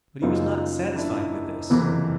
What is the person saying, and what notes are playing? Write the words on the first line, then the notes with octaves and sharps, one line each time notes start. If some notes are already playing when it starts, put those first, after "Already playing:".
But he was not satisfied with this.
F#1 F#2 C#3 D#4 F4
D4 E4
F#1 F2 C3 E3